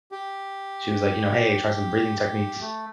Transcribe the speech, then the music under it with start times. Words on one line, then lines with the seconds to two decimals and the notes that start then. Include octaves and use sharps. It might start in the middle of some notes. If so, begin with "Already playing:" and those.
she was, like, you know, "Hey, try some breathing techniques"
0.12 G4
2.61 A3